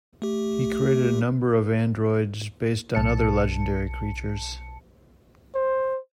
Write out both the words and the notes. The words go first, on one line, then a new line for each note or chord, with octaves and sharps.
He created a number of androids based on other legendary creatures.
A3 G4
B1 A5 C#7
C5